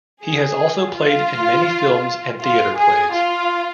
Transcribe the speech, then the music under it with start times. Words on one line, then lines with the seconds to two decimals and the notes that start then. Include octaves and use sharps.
He has also played in many films and theater plays.
0.22 G#4
0.95 F4
2.40 F4
2.76 G#4
3.13 F4